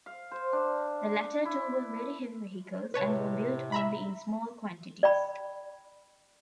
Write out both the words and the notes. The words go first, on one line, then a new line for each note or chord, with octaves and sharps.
The latter two were very heavy vehicles, and were built only in small quantities.
F5
C5
D4
E4
A2 C3 B4 C#5 A5
E5 A#5 B5
D5 G5 B5